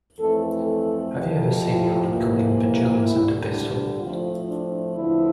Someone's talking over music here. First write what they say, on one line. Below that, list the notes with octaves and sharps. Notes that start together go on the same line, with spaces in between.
Have you ever seen your uncle in pyjamas and a pistol?
F2 E3 A3 C4 A4
A4
F2 C3 F3
F4
F2 C3 E3 A#3
D2 D3 G3 E4
D4
A2 F3 A3 C4 F4
D4
E2 D3 F3 A3 C4 E4